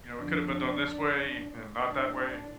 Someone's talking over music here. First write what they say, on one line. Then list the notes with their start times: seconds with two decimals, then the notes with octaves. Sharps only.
you know, it could have been done this way, and not that way.
0.19 F2 D3 F3 D4
1.87 A2 E3 D4